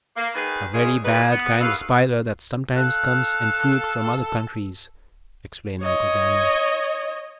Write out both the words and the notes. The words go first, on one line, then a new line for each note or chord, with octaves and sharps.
"A very bad kind of spider, that sometimes comes in fruit from other countries," explained Uncle Daniel.
A#3
D#3 G#4 B4
A#2 C#3 G#3 G#4
E2 B2 D#4 B4
B3
D#2 A4 B4 F5
A4 F5 F#6
C#5 D#5